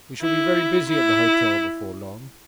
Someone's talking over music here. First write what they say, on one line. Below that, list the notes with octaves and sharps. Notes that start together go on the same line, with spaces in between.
We shall be very busy at the hotel before long.'
E4
E4